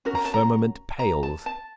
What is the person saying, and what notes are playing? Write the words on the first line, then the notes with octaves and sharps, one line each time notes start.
The firmament pales.
C#4 F#4 A#4
A#5
A5
A#5
A#5
A5
A5